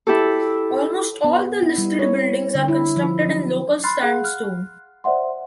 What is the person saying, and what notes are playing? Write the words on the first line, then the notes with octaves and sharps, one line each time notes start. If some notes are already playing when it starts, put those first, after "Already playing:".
Almost all the listed buildings are constructed in local sandstone.
E4 G4 A4
B3
E4
G3
C#5
D3
E4
F3
F#3
B5 C6 F6 F#6 A6 C7
G#4 F5 F#5 F#6
F6 F#6
C5 D5 E5 F#5 C6